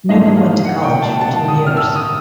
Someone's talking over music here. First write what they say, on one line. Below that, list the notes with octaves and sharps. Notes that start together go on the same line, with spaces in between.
Newman went to college for two years.
G#2 E3 G3 A#3 D4 D#5
F5
F#5
G5
A5
A5
D#6
F6
E6
D#6